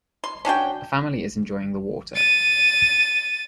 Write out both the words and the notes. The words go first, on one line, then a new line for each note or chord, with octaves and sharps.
A family is enjoying the water.
C6
C#4 D4 F#4 G5
A6 D#7